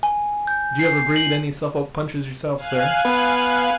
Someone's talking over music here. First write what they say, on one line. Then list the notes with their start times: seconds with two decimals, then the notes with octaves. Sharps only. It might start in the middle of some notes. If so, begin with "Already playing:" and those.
Did you ever breed any Suffolk Punches yourself, sir?'
0.03 G#5
0.47 G6
0.79 C7
1.16 F#7
2.57 F5 G#5 F#6
3.05 B3 B4